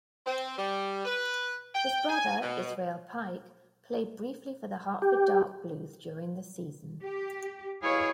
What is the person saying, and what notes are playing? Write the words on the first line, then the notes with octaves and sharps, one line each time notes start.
His brother, Israel Pike, played briefly for the Hartford Dark Blues during the season.
C4
G3
B4
G5
G#5
B2
G4
G4
B2 E4 G#4 C#5 F5